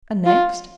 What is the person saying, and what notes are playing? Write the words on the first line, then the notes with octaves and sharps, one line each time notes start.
"And next?"
F4